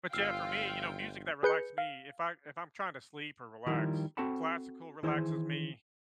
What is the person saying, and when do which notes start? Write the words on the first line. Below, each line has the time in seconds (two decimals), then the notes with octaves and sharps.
But yeah, for me, you know, music that relaxes me, if I if I'm trying to sleep or relax, classical relaxes me.
0.13 G1 F4 F5 G5 E6 F6 C7
1.43 G#4 B4 G6 C#7
1.78 F5
3.66 D#3 F3 G3 E4 A#4
4.17 C4 F#4 A4 F#5 A5 B5
5.03 D#3 E3 E4 G#4 C5